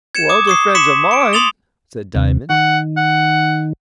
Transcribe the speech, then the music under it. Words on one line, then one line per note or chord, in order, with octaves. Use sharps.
"Well, they're friends of mine," said Diamond.
G#6 C#7 E7
D6 D#6
C#6 D#6 C7
C6 D6 B6 C#7 E7
C#7 D7
C6 D#6 A6 F7 G7
D#2 C3
D#3 F#5
F#5